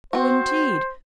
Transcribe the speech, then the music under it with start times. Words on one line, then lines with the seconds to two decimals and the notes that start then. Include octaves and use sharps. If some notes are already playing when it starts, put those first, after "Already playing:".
'Oh, indeed!
0.13 C4 F#4 C5